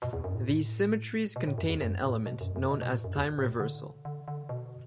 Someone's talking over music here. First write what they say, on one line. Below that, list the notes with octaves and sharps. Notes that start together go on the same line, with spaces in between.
These symmetries contain an element known as time reversal.
B2
E2
F#2
A2
B2
A2
F#2
E2
F#2
A2
B2
F#2
F#2
B2
B2
A2
F#2
E2
A2
B2
D3
D3
D3
B2